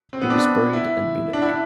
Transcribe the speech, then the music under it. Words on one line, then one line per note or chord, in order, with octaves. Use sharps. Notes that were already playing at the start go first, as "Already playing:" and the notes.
He was buried in Munich.
C4
B3
D4
E4
D4
E4